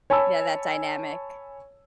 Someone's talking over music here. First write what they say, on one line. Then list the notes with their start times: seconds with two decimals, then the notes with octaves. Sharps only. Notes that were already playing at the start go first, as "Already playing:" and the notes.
Yeah, that dynamic.
0.10 C#5 G#5 A5 B5 E6